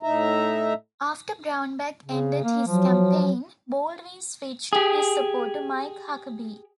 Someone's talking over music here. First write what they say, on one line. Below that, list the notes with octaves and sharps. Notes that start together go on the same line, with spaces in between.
After Brownback ended his campaign, Baldwin switched his support to Mike Huckabee.
A2 D#4 E5 A#5
C#3
A#3
F3 F#3
G4 G#4